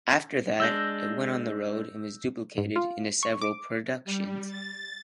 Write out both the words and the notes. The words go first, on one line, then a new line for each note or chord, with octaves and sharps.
After that it went on the road and was duplicated into several productions.
G#3 D4 E6 G6 A#6
G#2
F4
C#6
D6
G3
A6